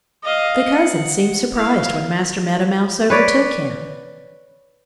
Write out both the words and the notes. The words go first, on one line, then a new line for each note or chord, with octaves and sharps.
The cousin seemed surprised when Master Meadow Mouse overtook him.
D#5 F5
F#5
E4 F5
B4 C#5 D5